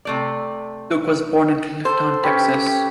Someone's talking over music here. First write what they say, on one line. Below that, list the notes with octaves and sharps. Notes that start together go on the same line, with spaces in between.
Duke was born in Clifton, Texas.
C3 A3 D5
A4 C5
C#4 G4 B4